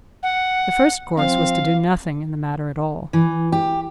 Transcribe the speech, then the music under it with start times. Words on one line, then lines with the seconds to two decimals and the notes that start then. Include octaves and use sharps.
The first course was to do nothing in the matter at all.
0.23 F#5
1.17 F3 C4 F5
3.13 E3
3.52 G4